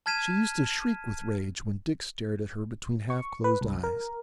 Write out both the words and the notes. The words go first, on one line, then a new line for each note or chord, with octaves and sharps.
She used to shriek with rage when Dick stared at her between half-closed eyes.
A5 F6 G#6 B6 D#7 E7
C#6
B4
C2
A#4